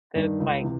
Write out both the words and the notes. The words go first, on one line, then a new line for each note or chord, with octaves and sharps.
that's, like,
G2 D#3
C#2
C3 E3